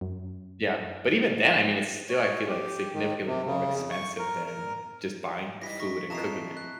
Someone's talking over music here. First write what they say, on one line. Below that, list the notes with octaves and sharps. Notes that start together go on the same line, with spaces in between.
Yeah, but even then, I mean, it's still I feel like significantly more expensive than just buying food and cooking it.
F#2
C#5
G4
D#3
C3
C#3
F2
C#6
A#4
A#4
E3 G3 D#4 A#6 B6
C#6 A#6 B6
F2 E3 D#5 A5 A#5 C7
F#6